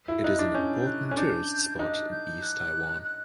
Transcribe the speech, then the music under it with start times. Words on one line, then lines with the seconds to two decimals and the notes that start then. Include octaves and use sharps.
It is an important tourist spot in East Taiwan.
0.08 E4
0.24 D#4 F#6
0.39 D4
0.50 F#6
0.55 C#4 G6
0.81 G6
0.87 F#6
1.08 C#4 F#6
1.17 D4 G6
1.79 D#4 F#6
2.11 G6
2.42 F#6
3.04 F#6